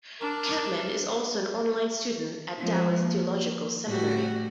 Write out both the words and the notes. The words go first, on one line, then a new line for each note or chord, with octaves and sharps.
Kampman is also an online student at Dallas Theological Seminary.
D4 A#4
F3 G#3 C4
A#3
A2 G3 F#4